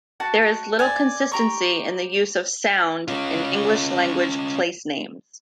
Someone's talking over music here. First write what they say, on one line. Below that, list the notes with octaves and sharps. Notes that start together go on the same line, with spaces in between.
There is little consistency in the use of "sound" in English-language place names.
F#4 F#5 A5
D5 G#5
G4 A#5 C#6
C#4 F4